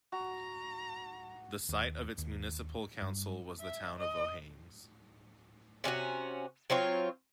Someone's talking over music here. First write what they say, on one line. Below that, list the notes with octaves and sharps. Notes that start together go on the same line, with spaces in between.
The site of its municipal council was the town of Vojens.
F#4 A#5
D#2
D#2
G2
E5
D#5
C3 C#4 D4 F#4
F#3 C4 F4 C#5